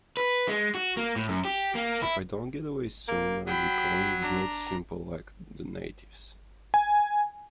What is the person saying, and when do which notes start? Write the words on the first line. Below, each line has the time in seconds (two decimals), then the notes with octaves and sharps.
If I don't get away soon I'll be going blood-simple like the natives.
0.17 B4
0.48 G#3
0.75 F#4
0.97 A#3
1.16 A2
1.29 F#2
1.45 G4
1.75 A#3
2.03 E4
3.08 A#3
3.47 F#3 G5 B5
4.22 D4 A#5
6.74 G#5